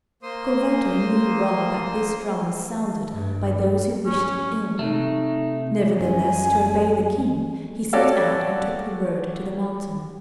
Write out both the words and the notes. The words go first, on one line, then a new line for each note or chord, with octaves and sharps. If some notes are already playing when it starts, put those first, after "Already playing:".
Corvetto knew well that this drum was sounded by those who wished him ill; nevertheless, to obey the King, he set out and took the road to the mountain.
A#3 C5 C6 D#6
G2
C#4
C3 A3 D#4
F#2 G#5
F#4 G4 A4 C#5 D5 F5